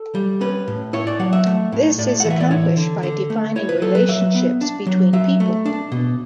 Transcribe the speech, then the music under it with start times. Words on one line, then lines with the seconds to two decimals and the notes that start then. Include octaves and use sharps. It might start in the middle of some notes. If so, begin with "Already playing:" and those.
This is accomplished by defining relationships between people.
Already playing: A4
0.15 G3
0.41 C#4 B4
0.68 A2
0.93 E4 C#5
1.07 D5
1.19 F#3 F#5
1.33 E5
1.46 A3
1.72 A2
1.98 A2 D5
2.20 E3 F#5
2.30 E5
2.40 D5
2.51 E4 C#5
2.77 D3
3.03 D3
3.30 A3
3.56 E4 C#5
3.69 B4
3.82 F#3 A4
3.95 B4
4.08 F#3 E5
4.35 B3
4.61 D4
4.86 F#3
5.13 F#3 E5
5.40 A3
5.66 D4
5.92 B2